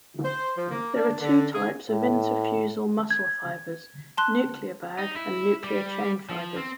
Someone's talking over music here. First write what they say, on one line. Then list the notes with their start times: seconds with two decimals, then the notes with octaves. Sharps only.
There are two types of intrafusal muscle fibers: nuclear bag and nuclear chain fibers.
0.25 C5
0.58 F3
0.71 A#3
0.96 D4
1.21 D3
1.54 G#4
1.90 A2
3.11 G#6
4.17 A5 C6 F#6
4.98 D#4
5.16 E4
5.64 G3
6.29 F3
6.56 C4